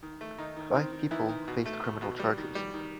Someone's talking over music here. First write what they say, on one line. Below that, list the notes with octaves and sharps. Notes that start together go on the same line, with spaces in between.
Five people faced criminal charges.
D#3
A3
D#3 D#4
D#3
D#3 C4
D#3
D#3 E3 E4
D#3
B2
A3
A3
B2
G3
D#3
G3
D#3